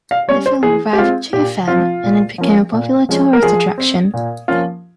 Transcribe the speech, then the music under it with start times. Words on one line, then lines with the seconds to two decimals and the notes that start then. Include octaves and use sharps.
The film revived Jiufen, and it became a popular tourist attraction.
0.11 F5
0.28 G3 C#4 C#5
0.46 C5
0.63 E3 G#4
0.93 G4
0.98 G#3 C4 F4
1.33 A#2 G4
1.68 F3 C4 F4
2.04 A#2
2.38 F3 A#3 C#4
2.73 A#2
3.09 F3 G#3 C#4
3.33 A#4
3.43 F3 G#4
3.78 C4
4.14 A#2
4.48 F3 A#3 C#4 F4